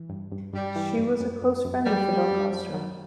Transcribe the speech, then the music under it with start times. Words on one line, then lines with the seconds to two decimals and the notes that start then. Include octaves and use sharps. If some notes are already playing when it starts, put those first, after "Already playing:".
She was a close friend of Fidel Castro.
Already playing: E3
0.09 G2
0.32 G2
0.53 G2 G3
0.76 E3
0.98 G2
1.20 F#2
1.42 F#2
1.65 F#2
1.86 F#3 G3
2.08 F#3
2.30 F#2
2.52 F#2
2.74 F#3